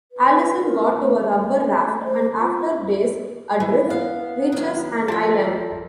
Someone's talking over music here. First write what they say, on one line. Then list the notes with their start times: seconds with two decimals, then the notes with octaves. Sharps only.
Allison got to a rubber raft and after days adrift, reaches an island.
0.12 B4
0.62 A#4
0.95 A3
2.03 C5
2.38 F4
3.60 E3
3.90 B3 F5
4.52 D#3 F#3
5.08 F3 A4 A#4 G5 A5